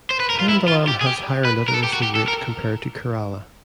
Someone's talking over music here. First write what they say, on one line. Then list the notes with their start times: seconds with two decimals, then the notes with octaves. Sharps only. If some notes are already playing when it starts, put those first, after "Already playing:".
Pandalam has higher literacy rate compared to Kerala.
0.10 C5
0.20 B4
0.30 A#4
0.40 F4
0.49 E4
0.68 F4
0.88 G4
1.01 G#4
1.06 G4
1.45 B4
1.68 A#4
1.74 A4
1.84 G4
1.93 F#4
2.03 G4
2.15 A4
2.28 A#4